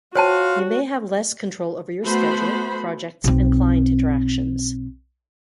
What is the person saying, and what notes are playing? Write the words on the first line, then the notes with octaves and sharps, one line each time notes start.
You may have less control over your schedule, projects, and client interactions.
F4 F#4 C5 C#5 F5 G5 A5
A3 B3 F#4 C5 B5
B1 C4